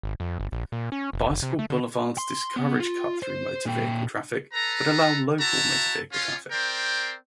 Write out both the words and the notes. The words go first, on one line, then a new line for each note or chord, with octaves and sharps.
Bicycle boulevards discourage cut-through motor-vehicle traffic but allow local motor-vehicle traffic.
G#1
F2
G1
A#1
A#2
C#4
F1
F#1
C3
A3
D3
C6
B3
F4
C5
A#2 G5
A4 B4 A#5
E4 F#4 E5 A5 A#5
C#4 F4
C4 A#4 C5 D5 G5